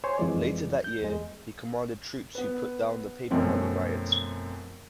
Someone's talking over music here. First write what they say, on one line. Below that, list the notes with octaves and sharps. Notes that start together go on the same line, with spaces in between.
Later that year, he commanded troops who put down the Paper Money Riot.
C5 C#5 G#5 C6
F2 E3 F3 G#3 D5
G6
E2 G#3
B3 B4
F#2 B2 F3 A3 C4 C#4